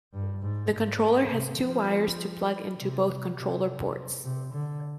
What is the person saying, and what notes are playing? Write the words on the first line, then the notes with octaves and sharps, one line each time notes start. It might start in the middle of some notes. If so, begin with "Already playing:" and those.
The controller has two wires to plug into both controller ports.
G2
G#2
G#2
C3
F3
C3
C3
C3
D3